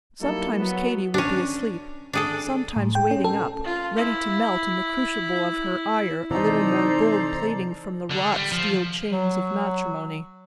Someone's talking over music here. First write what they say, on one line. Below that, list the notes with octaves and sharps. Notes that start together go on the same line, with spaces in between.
Sometimes Katy would be asleep; sometimes waiting up, ready to melt in the crucible of her ire a little more gold plating from the wrought steel chains of matrimony.
F#3 G3 A#3 D#4 E4 A4
F#3 B3
C#4 D4
D4 G#4 A4
A2
G5
C#4
A4
F4
E4
C3 E3 D#4 A4 C5 D5 A#5
D3
G3
F3
F#3